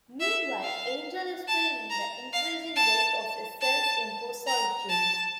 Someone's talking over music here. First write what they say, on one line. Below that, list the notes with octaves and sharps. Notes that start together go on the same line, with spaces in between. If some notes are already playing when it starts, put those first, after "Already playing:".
Meanwhile Angel is feeling the increasing weight of his self-imposed solitude.
E5
F5
A5
A#5
F5
A5
A5
A#5
A5